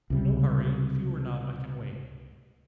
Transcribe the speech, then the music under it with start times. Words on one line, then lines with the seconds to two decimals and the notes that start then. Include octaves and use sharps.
No hurry; if you are not, I can wait.
0.10 C#2 C3 G3